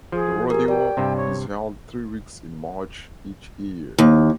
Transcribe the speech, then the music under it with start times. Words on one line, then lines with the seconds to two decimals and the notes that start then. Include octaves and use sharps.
The rodeo is held three weeks in March, each year.
0.12 F3 G#4
0.50 G4 G#4 A#4
0.68 D5 G5
0.97 G2 C3
1.16 C#5
3.99 D#2